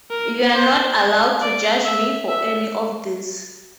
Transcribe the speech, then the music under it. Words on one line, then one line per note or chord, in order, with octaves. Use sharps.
You’re not allowed to judge me for any of this.
A#4
C5
D5
E5
E5